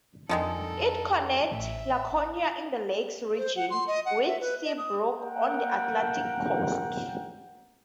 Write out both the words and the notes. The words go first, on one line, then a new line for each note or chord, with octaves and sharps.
It connects Laconia in the Lakes Region with Seabrook on the Atlantic coast.
F2 D3 D#3 G#3 A4 A#4
A1 E5
C5
F#5
C6
D#5
F#5
E5
B4
D#5
D#6
A#3 A#4 F#5 G5